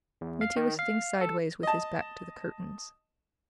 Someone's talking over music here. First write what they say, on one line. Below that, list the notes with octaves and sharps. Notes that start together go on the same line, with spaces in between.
Mitya was sitting sideways with his back to the curtains.
E2
F5
D#3
F5
A4
D#5 A5